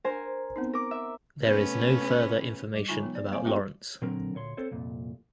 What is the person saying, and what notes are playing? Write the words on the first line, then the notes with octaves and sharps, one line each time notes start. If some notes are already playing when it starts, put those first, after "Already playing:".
There is no further information about Lawrence.
D4 A#4 C5 G#5
B3 C4 D#4
A#4 D6
E5
C3 A3 B3 C#4
G3
D3 G#3 D#4 F4 G#5 C#6
F#3 B3
D5
G3 A#3 C4 C5 F5 G#5
G#3 B3 D4 F#4 G4 G5
A#2 D3 F#3 C4 A#4
D2 A#2 C#5 C6
C4 A4 C5 C#5
C2 F2 A#2